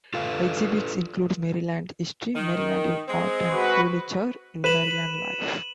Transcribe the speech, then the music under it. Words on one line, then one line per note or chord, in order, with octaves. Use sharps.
Exhibits include Maryland's history, Maryland in art and furniture in Maryland life.
F4 A4 B4 F5
D#3
G#3 C4
F#4 B4
B4 D#7 E7 F#7